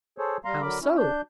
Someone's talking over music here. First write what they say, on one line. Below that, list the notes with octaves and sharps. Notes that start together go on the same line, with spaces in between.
How so?
G#4 A4 C5 C#5
G3 F5 A#5 C6
D3 F#3 A#4 B5 D6
C#4 E4
D4 G6